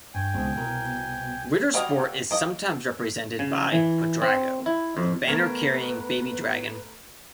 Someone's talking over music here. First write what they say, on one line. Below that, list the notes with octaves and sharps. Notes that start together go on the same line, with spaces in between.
Ritter Sport is sometimes represented by "Quadrago", a banner-carrying baby dragon.
G2 G5 G#5
C#2 B2 G#3 C4
C2 B2 A#4
G3 A#3 F#4 D#5 F5
A#3 D#5
C#3
E3
C4
E4
F2
A3 B3 A#4 B4 G#6 D7